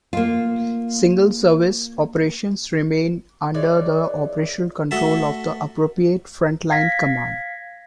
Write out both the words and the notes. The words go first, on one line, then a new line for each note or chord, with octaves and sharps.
Single-service operations remain under the operational control of the appropriate front-line command.
A#3 F4
E3 G#3 C#5 D5
A3 F#4 E5 A5
F5 G#6 A#6 B6